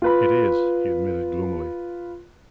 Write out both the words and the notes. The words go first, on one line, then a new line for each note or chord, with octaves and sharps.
"It is," he admitted gloomily.
F4 B4 B5